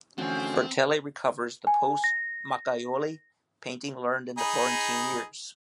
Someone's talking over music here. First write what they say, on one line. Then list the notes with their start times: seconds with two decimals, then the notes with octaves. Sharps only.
Bertelli recovers the post Macchiaioli painting learned in the Florentine years.
0.18 E2 D3 F3 A3 C4 C#4 F#4 C5
1.67 G#5
2.04 A#6
4.38 D#4 G#4 B5